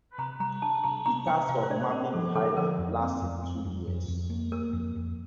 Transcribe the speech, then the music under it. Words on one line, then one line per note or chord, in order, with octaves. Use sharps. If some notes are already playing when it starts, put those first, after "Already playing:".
The task of mapping the island lasted two years.
C3 A#5
G3 A#5
D4 A5
C3 A#5
D4 A#5
C3 G5
C3 F5
C5
D4 D5
C5
C4 A#4
F3 A4
D3 A4
F3 A#4
F2
C4
F2
C4
F2
F2
F2
A#3
A#3 A#4
F2
F2